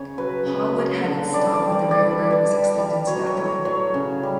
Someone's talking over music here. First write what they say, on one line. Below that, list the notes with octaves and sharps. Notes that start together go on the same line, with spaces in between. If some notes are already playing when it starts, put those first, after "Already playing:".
Harwood had its start when the railroad was extended to that point.
Already playing: C#3 C#5
F#3 B4
C#3
F#3
D3
G3 D5
D5
G3
D5
G3 D5
B4
G3
D5
G3
G3
F#3 C#5
C#5
A2
C#5
F#3 C#5
C#3
G3